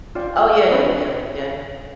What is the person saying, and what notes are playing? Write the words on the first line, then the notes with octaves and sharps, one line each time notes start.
Oh, yeah, yeah, yeah, yeah.
F4 D5 G5
C4 D4 B4 C#5